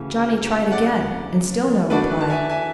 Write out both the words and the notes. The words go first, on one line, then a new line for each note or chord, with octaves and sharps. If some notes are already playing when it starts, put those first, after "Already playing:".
Johnny tried again, and still no reply.
Already playing: D2 C#3 E3
D5 F#5
E3 A3 D4 F#4 B4 D5
B4
A5
E5 G#5
E5 G#5